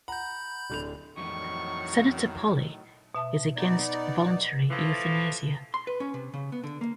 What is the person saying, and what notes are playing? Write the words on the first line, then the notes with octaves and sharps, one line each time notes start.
Senator Polley is against voluntary euthanasia.
F#5 A#5 B5 G6
D1 D3 F7
F2 A2 D#3 E3 F#3 G3 C#6
B2 E5 A5
B3 D#4 D5 G#6
A2 E3 F3
C6
B4
C#4
C3
C#3
B3
D3
A#3